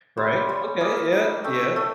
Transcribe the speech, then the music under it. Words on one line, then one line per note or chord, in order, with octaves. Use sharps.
Right. Okay, yep, yep.
G3 C5
G3 C#5
A#3 D#5
D#4
A3 G5
A3